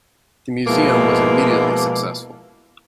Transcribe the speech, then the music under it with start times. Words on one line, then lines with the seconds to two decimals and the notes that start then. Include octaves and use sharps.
The Museum was immediately successful.
0.67 B2 F3 G#3 A#3 E4